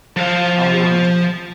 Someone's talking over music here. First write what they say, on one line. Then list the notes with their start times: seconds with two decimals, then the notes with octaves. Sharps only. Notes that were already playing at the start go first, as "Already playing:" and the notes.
I'll be honest.
0.17 F3 F5